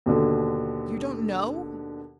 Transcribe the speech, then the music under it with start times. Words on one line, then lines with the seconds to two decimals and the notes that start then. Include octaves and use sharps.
You don't know!
0.06 D#2 B2 D3